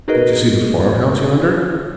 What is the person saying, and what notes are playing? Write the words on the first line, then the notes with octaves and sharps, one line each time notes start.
Don't you see the farm-house yonder?
D#4 F#4 G#4 A#4 B4 D#5